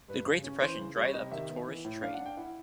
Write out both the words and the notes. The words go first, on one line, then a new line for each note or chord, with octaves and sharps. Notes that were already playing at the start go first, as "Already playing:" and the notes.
The Great Depression dried up the tourist trade.
G2 B4
C#3
C#4
E3 C5
C#3
G3 C#5
C3 D#5
D#3 E5
B3
E3
A2
D4 F5
F#5
D4
G5
E4 F#5